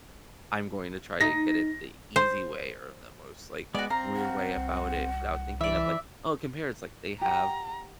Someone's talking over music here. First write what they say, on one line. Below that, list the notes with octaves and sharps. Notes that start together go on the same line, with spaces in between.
I'm going to try to get it the easy way, or the most, like, weird way about it without thinking of, like, oh, compare" it's like, they have
D#4 A#6
C5
G#3 B3 F#4 D5
C4 F5 A#5
F#5
C2
E3 D5 E5
G4 F#5 A#5